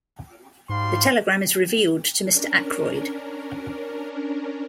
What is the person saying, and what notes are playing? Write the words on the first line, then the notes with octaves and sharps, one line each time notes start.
The telegram is revealed to Mr. Ackroyd.
G#2 G3 F5 C6
C#4 D4 A#4